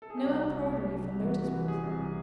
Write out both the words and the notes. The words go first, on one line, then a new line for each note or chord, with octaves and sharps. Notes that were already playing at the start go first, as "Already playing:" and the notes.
No embroidery for Lotus Blossom!
A4
G#4
G4
C2 F#4
C2
C2
C3 G4
C3
C2
E3 F#4
C3
F#4
E3
C3 G#4
C2
C3